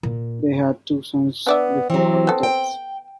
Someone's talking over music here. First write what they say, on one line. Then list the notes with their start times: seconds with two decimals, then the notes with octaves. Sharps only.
They had two sons before her death.
0.03 A#2
1.47 B3 D4 D5 E5
1.90 E3 F#3 C4
2.27 B3 A4
2.43 G5